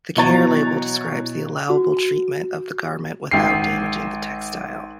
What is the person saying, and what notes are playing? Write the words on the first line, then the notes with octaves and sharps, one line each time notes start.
The care label describes the allowable treatment of the garment without damaging the textile.
B2 E3 F#3 C#5 A#5 A6
F#4
G#1 G5 C7